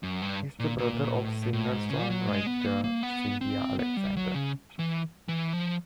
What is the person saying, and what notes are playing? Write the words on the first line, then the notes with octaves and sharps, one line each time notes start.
He is the brother of singer-songwriter Cynthia Alexander.
F#2
G2
A#2
A#2
A2
A2
G#2
C#3
G3
F#3
G#3
B3
A#3
A#3
B3
C4
B3
G3
F#3
C#3
E3
E3
F3